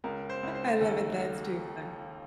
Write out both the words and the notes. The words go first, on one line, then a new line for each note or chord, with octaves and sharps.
I love it that's too funny.
C#2 A#4
C5
C#2
C5
D#2 A4